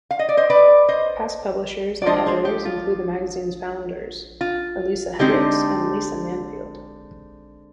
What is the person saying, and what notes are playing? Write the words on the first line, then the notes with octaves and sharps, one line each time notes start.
Past publishers and editors include the magazine's founder, Elisa Hendricks, and Lisa Manfield.
F5
D#5
D5
C5 D#5
B4 D5
C5 D#5
D5
F3 G#3 D4 F4 C5 D#5
G#4 C5
G4
F4
F4
D3 G#3 C4 D#4 G4